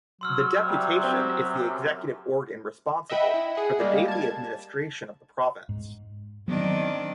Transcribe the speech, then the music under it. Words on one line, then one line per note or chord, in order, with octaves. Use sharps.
The Deputation is the executive organ responsible for the daily administration of the province.
F#3 C6 E6 F6
C3 G3
C4 G4
F#2 C3
D#5 E5 F#5 G5 B5
E4
G#4 F#5
G3 G#3 A#3
A5 G#6
G#2
D#3 F#3 B3 C4 D4